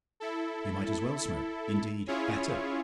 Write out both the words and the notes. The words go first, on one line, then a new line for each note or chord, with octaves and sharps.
You might as well smoke- -indeed, better.
E4 A4
C#4 E4 F4 G#4 C#5